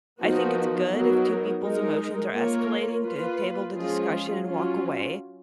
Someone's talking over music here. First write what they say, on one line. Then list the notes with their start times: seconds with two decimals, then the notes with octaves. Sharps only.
I think it's good if two people's emotions are escalating to table the discussion and walk away,
0.21 F3 B3 D#4 F#4 A#4
0.91 F#3 B3 D#4 A#4
1.62 G#3 D#4 A#4
2.33 A#3 F4 A#4 C#5
3.03 A#3 F4 B4
3.73 F3 G#3 C#4 F4 G#4
4.44 F#3 C#4 F4